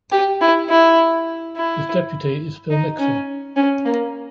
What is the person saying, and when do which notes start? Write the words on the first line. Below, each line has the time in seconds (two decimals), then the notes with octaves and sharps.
His deputy is Phil Nixon.
0.12 G4
0.41 E4
0.69 E4
1.56 E4
2.70 D#4
2.99 C#4
3.56 C#4
3.85 A#3